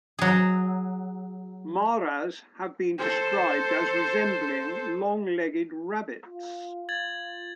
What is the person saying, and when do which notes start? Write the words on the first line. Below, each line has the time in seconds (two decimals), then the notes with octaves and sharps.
Maras have been described as resembling long-legged rabbits.
0.19 F#3 G#4
2.98 A4 C5
6.27 F4
6.89 G#6 A6 F#7